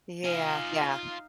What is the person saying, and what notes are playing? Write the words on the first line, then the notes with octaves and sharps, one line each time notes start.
Yeah, yeah.
D#4 F4 F5 G#5